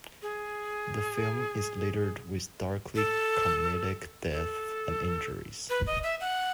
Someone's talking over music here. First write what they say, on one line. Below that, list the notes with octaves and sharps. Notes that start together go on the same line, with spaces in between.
The film is littered with darkly comedic deaths and injuries.
G#4
A4
A4
B4
D#5
E5
F#5